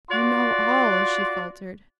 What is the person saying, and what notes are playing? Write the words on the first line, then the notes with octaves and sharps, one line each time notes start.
"You know all!" she faltered.
F4 F#4 D5 F#5 C6